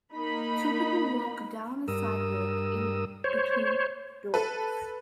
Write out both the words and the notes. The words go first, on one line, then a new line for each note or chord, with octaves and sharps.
Two people walk down a sidewalk in between buildings.
A#3 D#4 B5
G2 A#4 D#6 E6
C5 C#5
A4 B4